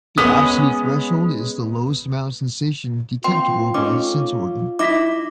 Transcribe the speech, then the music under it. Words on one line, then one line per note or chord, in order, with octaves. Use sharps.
The absolute threshold is the lowest amount of sensation detectable by a sense organ.
G#3 B3 C#4 F#5 D#6
A#3 C4 F4 G5 C6
A3 C#4 D#4 D6
D#4 E4 D6 A#6 B6